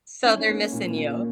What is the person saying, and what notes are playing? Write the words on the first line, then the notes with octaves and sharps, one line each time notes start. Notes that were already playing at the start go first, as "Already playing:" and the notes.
So, they're missing you.
C#4
A#3
A#2
A#3